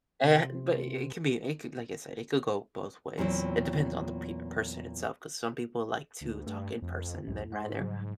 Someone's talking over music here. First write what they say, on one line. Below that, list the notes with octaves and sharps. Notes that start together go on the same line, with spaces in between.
and but i it could be it could like I said, it could go both ways, it depends on the peop person itself, 'cause some people like to talk in person than rather
C3
E2 A#2 F#3 C4 E4
D2
G2 A3
F2
C2 F2 G#2
G#2 F#5 C6
C#3 F#3 G3